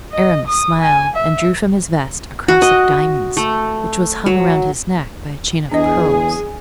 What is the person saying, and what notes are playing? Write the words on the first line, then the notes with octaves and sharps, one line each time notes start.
Aramis smiled and drew from his vest a cross of diamonds, which was hung around his neck by a chain of pearls.
D#5
D#6
G#5
E5
F#4
D#5
A3
F#3
E2 D4 G#4 D#5